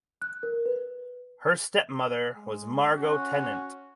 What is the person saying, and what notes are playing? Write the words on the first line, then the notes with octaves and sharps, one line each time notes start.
Her stepmother was Margot Tennant.
F#6
A#4
B4
G#3
C#4 F#4